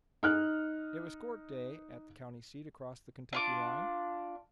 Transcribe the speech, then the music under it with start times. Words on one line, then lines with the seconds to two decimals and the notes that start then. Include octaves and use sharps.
It was court day at the county seat across the Kentucky line.
0.23 D#4 F6 F#6
3.33 D4 F4 D6